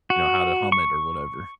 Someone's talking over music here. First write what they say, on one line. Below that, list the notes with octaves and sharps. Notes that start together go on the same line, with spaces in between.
you know, how to hum it or whatever.
F#4
C#6